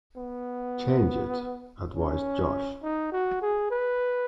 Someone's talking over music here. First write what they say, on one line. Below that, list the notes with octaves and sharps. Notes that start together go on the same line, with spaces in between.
"Change it," advised Josh.
B3
C#4
D#4
F#4
G#4
B4